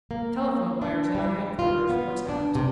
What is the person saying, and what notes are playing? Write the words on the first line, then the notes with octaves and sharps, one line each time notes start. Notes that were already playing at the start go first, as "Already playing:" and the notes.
Telephone wires at our headquarters were tapped.
A#3
D4
G3
F4
B3
D4
C3